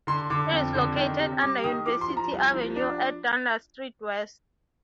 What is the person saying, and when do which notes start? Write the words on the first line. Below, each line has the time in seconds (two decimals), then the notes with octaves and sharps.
It is located under University Avenue at Dundas Street West.
0.07 D3 C6
0.30 D3 D6
0.52 F2
0.75 D3
0.96 D#3
1.20 C3
1.41 G3 D6
1.64 D#3 D#6
1.86 F3 D6
2.01 C6
2.09 F3
2.17 A#5
2.31 C2
2.53 F3
2.76 D4